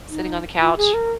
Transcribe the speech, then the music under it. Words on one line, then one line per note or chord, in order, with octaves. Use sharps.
sitting on the couch,
D#4
F4
G#4
A#4